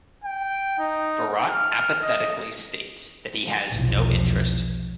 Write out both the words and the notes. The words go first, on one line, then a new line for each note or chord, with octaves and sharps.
Virat apathetically states that he has no interest.
G5
D#4
F6
D#5
F1 B1 E2 F3